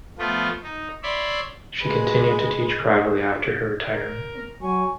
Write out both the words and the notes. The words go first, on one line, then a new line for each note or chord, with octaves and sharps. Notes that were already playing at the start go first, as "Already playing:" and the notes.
She continued to teach privately after her retirement.
F3 A3 B3 F4
D#4
C#5 D5 E5 B5 C6
G#3 B4
A#4
F#3 G#5 C#6